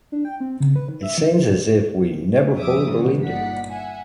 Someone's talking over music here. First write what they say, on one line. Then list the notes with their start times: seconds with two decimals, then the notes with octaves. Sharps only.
It seems as if we never fully believed it.
0.12 D4
0.25 G5
0.40 C4
0.60 C#3
0.76 B4
0.89 D#3
1.03 E5
1.18 E3
2.56 F2 G3 E5 D6 D#6
2.88 C#3 E3 G#3 B3
3.24 G1 A#2 D#4 D5 F#5 B6
3.69 E5 F#5 G#5